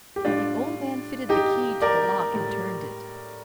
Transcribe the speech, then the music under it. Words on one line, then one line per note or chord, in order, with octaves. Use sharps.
The old man fitted the key to the lock and turned it.
G4
A2 G3 D4 F4
D#4 G4
A#4 D5
A2 G3